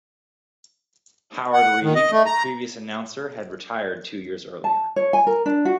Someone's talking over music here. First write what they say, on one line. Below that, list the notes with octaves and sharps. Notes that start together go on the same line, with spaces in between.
Howard Reig, the previous announcer, had retired two years earlier.
F#5
D#3
D#5
A3
A#5
A5
C#5
G#5
A#4
D4
F#4